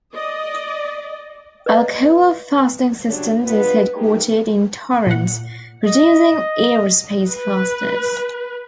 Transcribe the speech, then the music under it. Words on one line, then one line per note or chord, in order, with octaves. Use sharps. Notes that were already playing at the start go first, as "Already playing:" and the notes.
Alcoa Fastening Systems is headquartered in Torrance, producing aerospace fasteners.
D5 D#5
B4 D5 D#5 F#5
C#3 F#3 D4 F#4 G4 C#5
G2 B3 F4 B4
A3 A#3 D#4 G4 G#4 A#4
A#2 F#5
D#5
B4